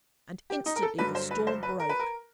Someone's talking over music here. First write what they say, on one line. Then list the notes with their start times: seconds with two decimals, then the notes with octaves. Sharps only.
And instantly the storm broke.
0.50 G4
0.66 D#4
0.76 A#4
0.83 A4
0.98 G2 D3 F#3 B4
1.15 C5
1.31 B4
1.47 C5
1.63 B4
1.80 A#4
1.89 B4
1.99 A#4